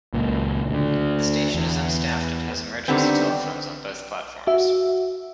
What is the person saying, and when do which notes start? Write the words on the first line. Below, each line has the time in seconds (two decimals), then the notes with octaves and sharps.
The station is unstaffed and has emergency telephones on both platforms.
0.14 C#2 A#2
0.69 D2 D3
1.55 E2
2.88 D3 D#3 G3 B3 C4
4.47 F#4 E5